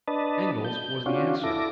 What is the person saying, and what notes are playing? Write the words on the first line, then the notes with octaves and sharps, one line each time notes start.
"Angles," was the answer.
D4 B4 D#5 A5
G6
C#4 D4 F4 F#4
E4 A4 D6 A#6